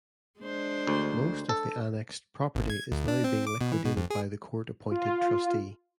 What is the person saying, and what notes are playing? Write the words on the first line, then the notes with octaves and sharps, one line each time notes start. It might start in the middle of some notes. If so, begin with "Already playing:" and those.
Most of the annexed property is now being liquidated by the court appointed trustee.
G#3 D4 C5
D2
A4
G#1
G#6
D2
D4
C4
D6
B2
E3
B2
F2
G#4
F4